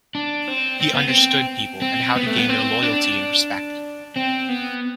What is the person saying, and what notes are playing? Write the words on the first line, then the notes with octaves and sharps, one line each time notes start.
He understood people and how to gain their loyalty and respect.
D4
C4
C4
B3
C4
C4
B3
A3
B3
C4
D4
C4
B3